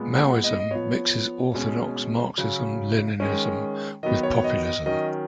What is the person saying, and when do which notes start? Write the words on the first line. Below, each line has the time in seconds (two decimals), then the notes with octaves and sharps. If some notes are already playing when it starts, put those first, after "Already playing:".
Maoism mixes orthodox Marxism-Leninism with populism.
Already playing: A#2 G#3 B3
0.16 F#5
0.44 D#5
0.59 D#5
0.71 F3 B3 C#5
1.54 B2 G#3 C#4
2.37 C#3 F#3 C#4
3.20 D#3 G#3 C#4
4.03 D#3 F#3 B3 D#5
4.23 C#5
4.36 C#5
4.44 D#5
4.66 D#5
4.86 D#3 F#3 C#4 D#5